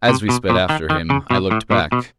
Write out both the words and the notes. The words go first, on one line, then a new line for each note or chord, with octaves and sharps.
As we sped after him I looked back.
C3
B2
A#2
D#3
D#3
C#3
B2
A2
A#2
B2